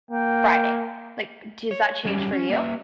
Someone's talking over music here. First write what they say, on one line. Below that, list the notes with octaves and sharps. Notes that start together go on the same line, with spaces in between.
Friday." Like, does that change for you?
A#3 G5
C#5
F#3 G3 C#4 G4
C#4
A#3 B4 E5